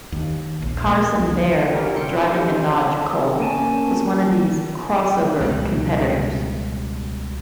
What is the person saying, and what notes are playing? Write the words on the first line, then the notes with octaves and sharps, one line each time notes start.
Carson Baird, driving a Dodge Colt, was one of these 'crossover' competitors.
D#2
A#1
A#3
C#2
D#3 F#3 G3 A#3 C#4 A#4
C2 A#2 A4 G5 C6 C#7
G3 C#4 D#4 A4 C5
A#3 C#4 G#5 A5
C#2 B2 G3